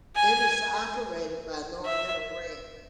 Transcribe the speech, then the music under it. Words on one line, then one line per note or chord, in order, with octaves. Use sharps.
It is operated by Northern Rail.
G#5
E5